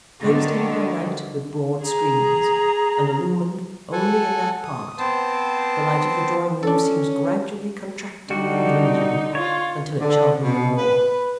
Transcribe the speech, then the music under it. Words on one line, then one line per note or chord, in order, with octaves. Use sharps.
Closed in by night with broad screens, and illumined only in that part, the light of the drawing-room seems gradually contracting and dwindling until it shall be no more.
D3 D#3 F#3
G#4 A#5
A4 F#5 G#5
D#6
B3 C4 C5 A5
C#4 D4 A4
D3 G3 D#4 F#4
F4 C#5
D3
B2
B4